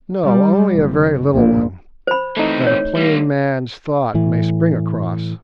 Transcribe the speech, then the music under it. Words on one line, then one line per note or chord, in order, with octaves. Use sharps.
No, only a very little one, that a plain man's thought may spring across.
G3
F#1
A#1
C5 B5
E3 A3 C4 D#4
C#5
G3 A#3
A2 E3